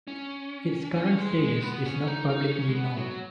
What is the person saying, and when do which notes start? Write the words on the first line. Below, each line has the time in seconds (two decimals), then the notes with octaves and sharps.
Its current status is not publicly known.
0.07 C#4
0.95 C#4
1.18 G#3
1.41 G#3
1.62 B3
1.85 C#4
2.07 D#4
2.29 D#4
2.51 C#4
2.68 G#3
2.75 B3
2.97 F#3